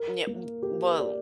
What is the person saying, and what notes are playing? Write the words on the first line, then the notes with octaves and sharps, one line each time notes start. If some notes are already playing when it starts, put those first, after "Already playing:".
Yeah we well,
Already playing: A#4
A#3
G4
D5